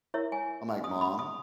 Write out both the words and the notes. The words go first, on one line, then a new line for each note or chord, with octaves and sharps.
I'm, like, "Mom,
E4 A#4 C#5 E5
G#5
D#6
B5
D#6